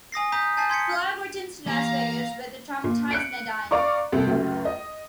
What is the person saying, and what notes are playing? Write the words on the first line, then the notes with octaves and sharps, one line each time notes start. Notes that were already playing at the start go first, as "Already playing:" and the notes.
Flagg returns to Las Vegas with a traumatized Nadine.
G#5 D#6 A#6 C7
A#5 D#6 G6 B6
G#5 A5 G6 A6 C7
C6 G#6 B6 C#7
E3 A#3 G4 F5 A#5
A#2
F#6 C#7 D7
D5 F5 A#5 C#6 D6
C2 A4
C#2 F#2 A3
D#5